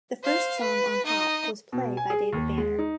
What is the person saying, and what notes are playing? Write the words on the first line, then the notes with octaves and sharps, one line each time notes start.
The first song on "Hot" was "Play" by David Banner.
C5 F5
B4
D#4 D#5
B2
G#5
G#4
D#2
G#3
D#4